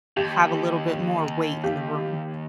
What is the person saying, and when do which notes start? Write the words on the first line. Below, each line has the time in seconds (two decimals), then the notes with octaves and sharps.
have a little bit more weight in the room.
0.17 D#2 G4
1.64 G4 F5